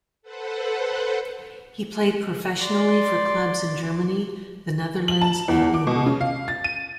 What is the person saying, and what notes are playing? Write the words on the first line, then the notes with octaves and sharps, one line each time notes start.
He played professionally for clubs in Germany, the Netherlands and England.
A4 B4 C5 F#5
D5 C6
F#7
A5
E2
D6
B2
C#3
F5
A6
D#7